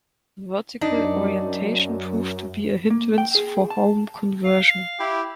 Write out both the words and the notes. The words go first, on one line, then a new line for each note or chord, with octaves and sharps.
The vertical orientation proved to be a hindrance for home conversion.
F#2 D4 D#4
A#3
G5
G#4
A5
F5
E4 G4